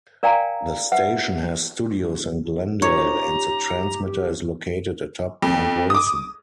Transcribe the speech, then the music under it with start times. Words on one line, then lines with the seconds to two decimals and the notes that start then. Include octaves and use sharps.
The station has studios in Glendale, and the transmitter is located atop Mount Wilson.
0.23 A#4 D5 F5 G5 G#5 A#5
0.92 B4 E5 F#5
2.82 A#2 C#4 D#4 G4 C#5 A#5
5.42 F2
5.90 D6 D#6